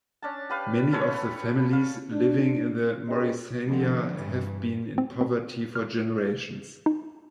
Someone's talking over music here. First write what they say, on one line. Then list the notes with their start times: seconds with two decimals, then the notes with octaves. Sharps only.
Many of the families living in Morrisania have been in poverty for generations.
0.22 C#4 D4 A5
0.50 G4 B4 F5
0.92 C#4 A4 B4 C#5
1.73 F5
2.13 D4
3.09 C#4 G4 G#4 A#4 B4 D#5
3.68 B2 D3 F3 C4
4.13 G2 E3
4.98 C4
5.21 C4
5.75 F6
6.86 D#4